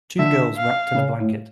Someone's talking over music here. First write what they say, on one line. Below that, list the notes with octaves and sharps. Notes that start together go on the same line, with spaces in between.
Two girls wrapped in a blanket.
D3 E5
F5
C#3
A2